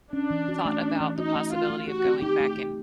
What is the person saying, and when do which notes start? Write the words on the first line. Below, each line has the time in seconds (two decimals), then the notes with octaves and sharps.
thought about the possibility of going back and
0.13 C#4 D4
0.31 E3
0.48 F#4
0.65 A3
0.83 C#4
1.00 E3
1.18 D#4 F#4
1.36 A3
1.53 D#4 F4
1.70 A3
1.87 F#4 G4
2.05 C4
2.22 D#4 G4
2.40 A3
2.58 G4